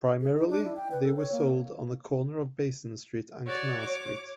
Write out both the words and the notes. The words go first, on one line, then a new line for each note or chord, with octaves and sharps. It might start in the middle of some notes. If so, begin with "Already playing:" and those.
Primarily they were sold on the corner of Basin Street and Canal Street.
G#4
D#4
D4
E4
G5
B4
A4
C#5
A#3
F#4 C#5 D5
D6